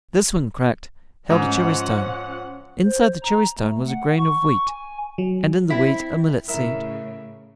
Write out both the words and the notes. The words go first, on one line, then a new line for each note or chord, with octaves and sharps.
This when cracked held a cherrystone, inside the cherrystone was a grain of wheat, and in the wheat a millet-seed.
G#2 F3 C#4 F#5
C5
A#5
A3
F#5
C#6
G#5
F#3
C4 E4 B6
A2 C#3 E4 A#4 E5